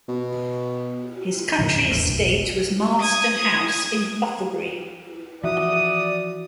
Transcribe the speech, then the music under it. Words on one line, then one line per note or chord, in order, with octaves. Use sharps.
His country estate was Marlston House in Bucklebury.
B2
A2 C#3 F3
E2
A1 E2
F1 B1
D#6 G#6
E3 F3 F#4 D5 E5 D#6